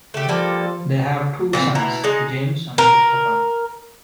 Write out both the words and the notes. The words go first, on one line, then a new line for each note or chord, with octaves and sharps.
They have two sons: James and Christopher.
C#3 A3 G4
F3 G3 A#3 A4
A#2 E3 A#3 C4
B2 E4 A#5
G#3 D#4
A#4